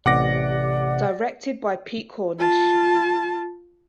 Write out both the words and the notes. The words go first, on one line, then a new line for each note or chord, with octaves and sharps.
Directed by Pete Cornish.
A1 C3 D5 F#5 D6 A#6
F4 A5